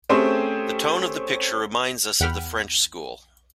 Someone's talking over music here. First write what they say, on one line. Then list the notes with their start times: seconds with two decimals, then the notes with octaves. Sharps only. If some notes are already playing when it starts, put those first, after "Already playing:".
The tone of the picture reminds us of the French school.
0.09 A3 C4 C#4 G4 G#4 C5
2.20 E2 F#5 G5 B5 F6